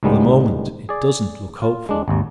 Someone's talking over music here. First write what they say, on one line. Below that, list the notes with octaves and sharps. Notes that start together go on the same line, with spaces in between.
For the moment it doesn't look hopeful.
C#2 A2 D#3 G3 G#3 B3
G#4 D5
F4
G#3 D4
G#1 D#2